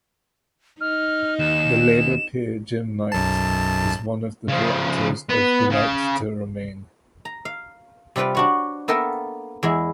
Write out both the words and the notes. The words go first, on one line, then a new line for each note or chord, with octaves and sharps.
The Labour peer Jim Knight is one of the directors of Unite to Remain.
D#4 F6
D#2 E7
B1 F#2 A5
C#3 F3
B3
C#3
A#5
F5
C3 G3 F4 B4 G5
D4 F#4 C#5
A#3 B3 A4 A#4 E5 G5
E2 G#3 E4